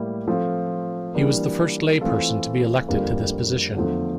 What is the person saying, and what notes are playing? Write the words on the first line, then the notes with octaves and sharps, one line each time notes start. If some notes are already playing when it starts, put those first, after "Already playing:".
He was the first lay person to be elected to this position.
Already playing: A2 G3 A#3 E4
F3 A3 C4 F4
E3 G3 A#3 D4
E3 A3 C4 F4 A4
F2 D3 G3 A#3 F4
E2 D3 F3 A3